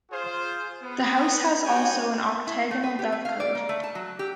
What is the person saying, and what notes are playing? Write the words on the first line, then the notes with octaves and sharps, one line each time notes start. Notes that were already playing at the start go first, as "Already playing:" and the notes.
The house has also an octagonal dovecote.
F4 G#4 C5
B3
G#3 F#4 G4 C#5 G5 G#5
E4
A3
B4
G4
A3
F5
D5
A#3
A3
A5
F#3
G4